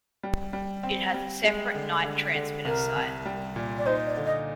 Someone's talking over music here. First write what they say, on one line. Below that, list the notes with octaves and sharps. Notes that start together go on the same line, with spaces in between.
It has a separate night transmitter site.
G3
G3
C4
G3
G#3
D3
D3
D3
C2 A#4
C2
G3
A#2
D5
D#4 C5
D5
D3
D#5